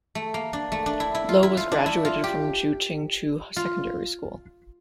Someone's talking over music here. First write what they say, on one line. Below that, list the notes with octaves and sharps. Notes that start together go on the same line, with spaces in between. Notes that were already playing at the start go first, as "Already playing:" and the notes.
Lo was graduated from Ju Ching Chu Secondary School.
A3
A#3
D4
A3
D4
E4
E4
F4
E4
F4
D4
E4
F4
G4
F4